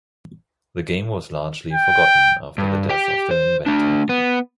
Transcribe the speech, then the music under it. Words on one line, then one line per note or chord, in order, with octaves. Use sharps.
The game was largely forgotten after the death of the inventor.
G5
G2
G4 G5
C5
A3 D4
B3